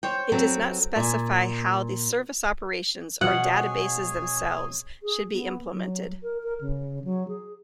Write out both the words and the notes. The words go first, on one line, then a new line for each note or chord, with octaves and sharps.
It does not specify how the service operations or databases themselves should be implemented.
C5 C#5 G5
F#3 C4 A4 B4
A#2 G#5
B2 F3 G#4 C#5 F#5 G#5
G#4
B3
F#3
A#4
A#4
C#3
F#3
G#4